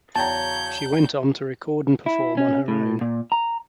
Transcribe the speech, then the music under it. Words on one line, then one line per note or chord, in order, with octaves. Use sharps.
She went on to record and perform on her own.
E2 C#3 F#3 C#5 G5 A5 A#5 G6
E4
C#4
A2
A#2
A#5